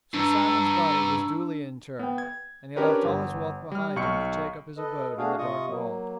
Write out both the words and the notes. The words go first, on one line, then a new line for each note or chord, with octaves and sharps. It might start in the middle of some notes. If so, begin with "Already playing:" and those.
Sir Simon's body was duly interred, and he left all his wealth behind him to take up his abode in the dark vault.
G2 D4 A#5 B5 C#6 E6
B3 G5
G#6
C#4 D4 G4 A#4 B4 C#5
G1
G3 F6
B1 C#6 C#7
A4 B4 D#5
A3 D4 F#4 G#4 F5
C3 F4 D#5 C#6 D#6
F#3 A#3